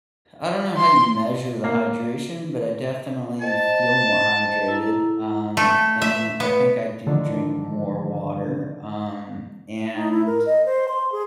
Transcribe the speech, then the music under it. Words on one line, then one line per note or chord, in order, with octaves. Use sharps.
I don't know how you measure the hydration, but I definitely feel more hydrated, um, and I think I do drink more water, um, and
C6
A#3
C5 D#5 G5 A5
E4 A4 A#5
A3
E5
B3
D3 D#3 F3 D4
D#4
E4
A#4
D#5
C5
C6
G#4